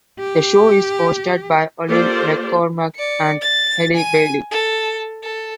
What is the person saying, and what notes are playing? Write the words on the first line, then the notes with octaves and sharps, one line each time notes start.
The show is hosted by Ollie McCormack and Elly Bailey.
G4
A#3 F4 G4 A4 C5 D5
D5 C#7
A6
G#5 D#7
A4
A4